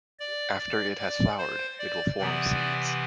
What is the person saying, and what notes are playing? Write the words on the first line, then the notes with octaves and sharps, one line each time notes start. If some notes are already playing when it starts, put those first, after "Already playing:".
After it has flowered it will form seeds.
D5
D5
D5
C5
D5
C3 E3 B3 D5